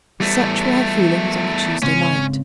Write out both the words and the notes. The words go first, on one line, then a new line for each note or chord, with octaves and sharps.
Such were her feelings on the Tuesday night.
E2 G3 A3
G#2 C#3 C4 C#4